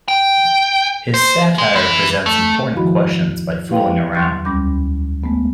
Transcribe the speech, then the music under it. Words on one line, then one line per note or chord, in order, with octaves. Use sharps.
His satire presents important questions by fooling around.
G5
C5
G#3
E3
A3
G#2 D#3 F3 E4 F#4 B5
E4 G4 B4 F5 G5
E2 F#3 C6 C#6 G6 A6
D2 G3 C#4 B5 D6 G6
G#3 A3 B3